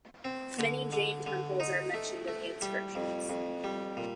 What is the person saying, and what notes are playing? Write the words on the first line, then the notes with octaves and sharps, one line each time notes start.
Many Jain temples are mentioned in the inscriptions.
C4
D3
D3
D3
D#4
A3
A3
G3
F2
F2
G3
A#2